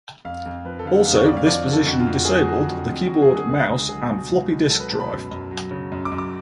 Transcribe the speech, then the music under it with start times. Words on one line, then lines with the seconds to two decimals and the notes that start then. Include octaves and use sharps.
Also, this position disabled the keyboard, mouse and floppy disk drive.
0.25 F2 F5
0.46 F2
0.65 F3 B4
0.79 A4
0.85 D3 F5
0.92 F#5
1.05 F2 F5
1.16 C#5
1.26 F2 D5
1.37 F5
1.46 F3 D5
1.67 D3
1.73 A4
1.86 F2 F#4
2.00 F4
2.07 F2
2.14 F#4
2.25 F#3 G#4
2.36 F#4
2.48 D3
2.68 F2
2.88 F2
3.08 F#3 F#4
3.22 G#4
3.28 D3
3.35 G#4
3.49 C#2 G#4
3.68 C#2
3.89 F#3 G#4
4.09 B2
4.30 C#2
4.50 C#2
4.69 F#3 A4
4.80 B4
4.90 B2 A5
5.00 B5
5.10 F#2
5.31 F#2
5.51 F#3
5.71 C#3
5.92 F#2
6.05 D6
6.12 F#2
6.18 D6